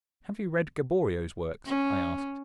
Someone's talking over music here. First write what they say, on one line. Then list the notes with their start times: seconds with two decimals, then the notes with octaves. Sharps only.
"Have you read Gaboriau's works?" I asked.
1.67 C#4